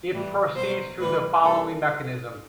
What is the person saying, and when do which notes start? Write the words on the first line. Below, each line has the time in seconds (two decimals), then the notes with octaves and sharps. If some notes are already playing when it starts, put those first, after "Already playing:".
It proceeds through the following mechanism.
0.12 A2 E3 G3
0.55 B2 F#3 C5
0.99 A2 E3 G3 B4
1.43 C3 D#3 G3 A4